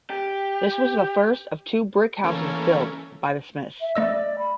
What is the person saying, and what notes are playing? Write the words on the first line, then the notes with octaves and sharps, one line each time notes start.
This was the first of two brick houses built by the Smiths.
G4
E3 A3 A#3 C#4
E5
A3 D5 D#5 E6
B5